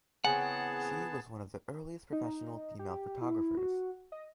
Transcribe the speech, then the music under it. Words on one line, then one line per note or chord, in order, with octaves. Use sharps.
She was one of the earliest professional female photographers.
C#3 E3 B3 C4 G#4 F#5 G#5 A5
D#4
G4
E4
F#4
D#5